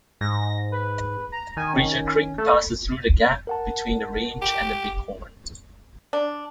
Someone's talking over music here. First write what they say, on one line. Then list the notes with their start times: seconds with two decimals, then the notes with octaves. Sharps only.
Bridger Creek passes through the gap between the range and the Bighorns.
0.21 G#2 A#6
0.72 B4
1.32 A#5
1.57 D#3 G#5
1.74 C#4
2.38 A3 A4
3.47 A#4 F#5 A5
4.42 G4
6.13 D4